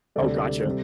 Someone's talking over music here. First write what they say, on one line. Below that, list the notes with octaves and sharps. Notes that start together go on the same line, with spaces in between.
Oh, gotcha.
D2 C3 G3 A4 D5
C3 G3